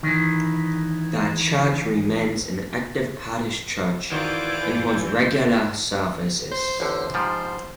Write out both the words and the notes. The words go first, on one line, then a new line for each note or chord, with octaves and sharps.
The church remains an active parish church and holds regular services.
D#3 E3
D#3 E3 F4 F#4 C5 D5 G6
C5
A1 E2 D3 C5
G#2 F3 G3